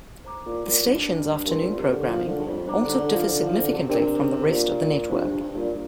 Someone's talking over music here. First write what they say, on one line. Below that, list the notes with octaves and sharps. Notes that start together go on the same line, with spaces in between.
The station's afternoon programming also differs significantly from the rest of the network.
C5 A#5 D6
A#2
A#2
G2
G2 A#4 G5 C6
C3
A#2
C3
D3
F3
D3
G2
F2
G2 C5 A#5 D6
D3
D3
F3
D3
F3
D3
C3
C3 D4 A#4 D5 G5
A#2
F2 D4 G4 C5
G2
G2
A#2